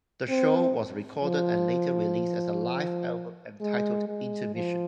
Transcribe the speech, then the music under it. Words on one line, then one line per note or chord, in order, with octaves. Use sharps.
The show was recorded and later released as a live album, entitled "Intermission".
C4
F3
G#3
G#3
F3